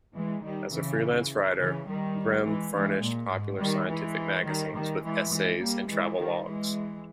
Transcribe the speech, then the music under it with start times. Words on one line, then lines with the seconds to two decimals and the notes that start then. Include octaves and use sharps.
As a freelance writer, Brehm furnished popular-scientific magazines with essays and travelogues.
0.16 E3 G#3
0.44 D#3 G3
0.73 C#3 E3
1.59 C#3 E3
1.88 D#3 G3
2.45 E3 G#3
2.74 E3 G#3
3.03 A#2
3.31 G#2
3.60 D#3 G3
3.88 E3 G#3
4.46 D#3 G3
4.74 D#3 G3
5.03 E3 G#3
5.32 E3 G#3
5.61 G3 A#3
5.89 E3 G#3
6.18 D#3 G3
6.47 E3 G#3